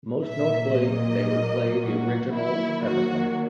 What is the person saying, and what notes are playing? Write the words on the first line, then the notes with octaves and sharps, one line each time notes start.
Most notably, they would play the original EverQuest.
A#2 F#3 A#3 E5
D#5
F#4
D#3 F#3 A#3 E4
F#4